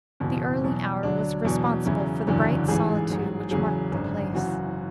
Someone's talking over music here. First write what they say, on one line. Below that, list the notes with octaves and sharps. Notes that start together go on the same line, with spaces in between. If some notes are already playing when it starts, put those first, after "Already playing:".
The early hour was responsible for the bright solitude which marked the place.
F#1 E2 B2
E2 B2 F#3
D2 D3 F#3 D4
E2 B2 F#3
E2 C#3 F#3 E4
F#1 E2 D3 F#3
A1 G#2 E3 G#4
A1 G#2 F#3
E2 C#3 F#3 G#4
G#1 F#2 D3
F#1 F#2 E3 F#4